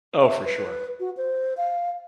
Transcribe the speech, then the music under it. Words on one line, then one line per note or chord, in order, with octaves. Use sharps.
Oh, for sure.
E5
B4
F#4
C5
F5